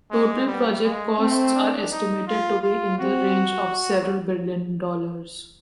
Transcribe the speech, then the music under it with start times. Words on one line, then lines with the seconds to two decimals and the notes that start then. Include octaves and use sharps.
Total project costs are estimated to be in the range of several billion dollars.
0.11 G#3 C4
0.47 G3 B3
0.83 G#3 A#3
1.19 A3 C4
1.55 D4
1.91 D#4
2.27 F4
2.62 F4
2.99 C4 F#4